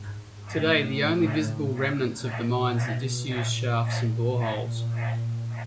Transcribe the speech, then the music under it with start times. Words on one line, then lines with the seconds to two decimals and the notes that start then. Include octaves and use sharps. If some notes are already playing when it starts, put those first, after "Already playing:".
Today, the only visible remnants of the mines are disused shafts and boreholes.
Already playing: G#2
0.50 A2
2.16 A#2
2.71 B2
3.25 A#2
4.35 A#2